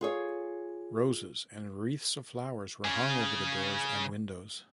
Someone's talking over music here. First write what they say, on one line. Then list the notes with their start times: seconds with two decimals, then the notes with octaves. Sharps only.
Roses and wreaths of flowers were hung over the doors and windows.
0.01 F4 G#4 C#5
2.85 C#3 G#4